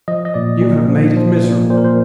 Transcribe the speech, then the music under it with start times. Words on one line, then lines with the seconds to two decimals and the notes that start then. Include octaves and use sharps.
You have made it miserable.
0.08 F3 D#5
0.25 D#5
0.34 A#2 D5
0.61 A#2
0.88 F3
1.17 F3
1.44 A#2
1.70 A#2 C5
1.77 A#4
1.85 C5